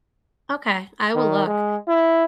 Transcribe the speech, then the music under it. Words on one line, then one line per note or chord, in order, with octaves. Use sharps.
Okay, I will look.
D#3
G#3
E4